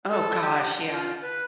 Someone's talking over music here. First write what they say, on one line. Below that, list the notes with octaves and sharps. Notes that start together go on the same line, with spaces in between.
Oh gosh, yeah.
A4
G4
F#5
F4
B4